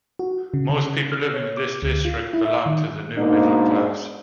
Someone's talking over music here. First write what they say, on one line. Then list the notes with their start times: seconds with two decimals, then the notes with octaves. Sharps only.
Most people living in this district belong to the new middle class.
0.19 F#4
0.54 C#3
0.69 C#3
1.12 F6
1.34 C#5
1.57 D6
1.82 D2
2.05 F4
2.33 E4
2.45 E5
2.66 D#3
3.17 G#2 B2 A#3 D4 D#4